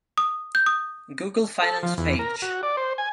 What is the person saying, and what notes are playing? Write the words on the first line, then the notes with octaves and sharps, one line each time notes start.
Google Finance Page.
D#6
G6
D#6
A4
F3
E2
A#4
F#4
D5
C5
G#5